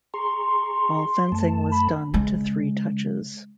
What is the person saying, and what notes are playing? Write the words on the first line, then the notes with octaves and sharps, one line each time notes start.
All fencing was done to three touches.
G#4 A#5 C6 C#6
F#2 A3 A5
B5
C#3 G#3